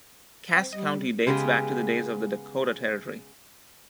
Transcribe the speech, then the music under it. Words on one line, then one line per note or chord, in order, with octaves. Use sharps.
Cass County dates back to the days of the Dakota Territory.
C4 G5
G3 D#5
C#3 G#3 B3 G4 G#4